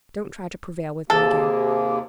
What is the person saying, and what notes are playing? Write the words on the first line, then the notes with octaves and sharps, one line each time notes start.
Don't try to prevail with me again.
D#2 C3 A#3 G#4 A4